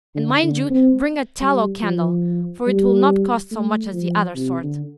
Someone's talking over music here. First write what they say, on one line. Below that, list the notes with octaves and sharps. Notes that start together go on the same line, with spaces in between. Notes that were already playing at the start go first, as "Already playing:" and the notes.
And mind you bring a TALLOW candle, for it will not cost so much as the other sort.
D3
D3
C4
G3
F3
G3
A3
F3
C3
D3